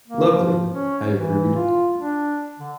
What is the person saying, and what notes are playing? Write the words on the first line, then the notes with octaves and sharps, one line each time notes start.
"Lovely," I agreed.
A#3
F3
C#4
E3
F4
D4
D3